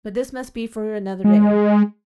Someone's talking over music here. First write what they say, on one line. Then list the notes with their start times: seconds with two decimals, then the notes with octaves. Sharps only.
But this must be for another day.
1.24 G#3